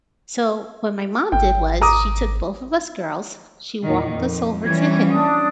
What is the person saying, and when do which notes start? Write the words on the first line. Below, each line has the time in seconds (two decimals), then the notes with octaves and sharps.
So what my mom did was she took both of us girls, she walked us over to him,
1.32 G#1 G5
1.82 A#5 D6 D#6
3.85 E2 A#2 D#3
4.14 F2
4.64 E3 G3 C#4 G#6
5.11 D4 D#6